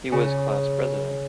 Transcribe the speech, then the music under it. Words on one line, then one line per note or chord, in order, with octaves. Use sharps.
He was class president.
C#3